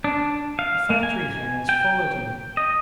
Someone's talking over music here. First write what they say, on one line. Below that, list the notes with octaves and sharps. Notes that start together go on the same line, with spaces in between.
The factory hands followed him.
D4
F5
A#3
G#5
G5
D#5